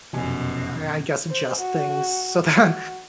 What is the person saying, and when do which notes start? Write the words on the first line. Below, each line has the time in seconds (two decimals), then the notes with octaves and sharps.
I I guess adjust things so that
0.13 F1 F#2 B2 G#5
1.30 C5
1.60 F#4
2.58 F#4